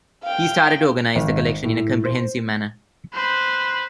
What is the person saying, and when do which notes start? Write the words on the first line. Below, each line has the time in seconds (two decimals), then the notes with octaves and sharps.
He started to organize the collection in a comprehensive manner.
0.24 F5 G5
1.15 G#1
1.64 A2
2.05 C5
3.13 B4 C5